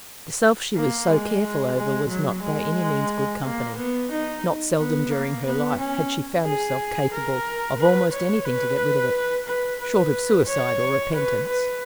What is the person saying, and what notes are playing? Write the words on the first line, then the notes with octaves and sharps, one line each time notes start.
The self she was so careful over was not by any means good company: not seldom during her life had she found herself capable of almost anything to get rid of it, short of suicide or repentance.
A#3
G#3
G#3
F#3
G#3
A#3
B3
D#4
B3
A#3
B3
C#4
G#4
A#4
B4
C#5
B4
B4
B4
C#5
B4
B4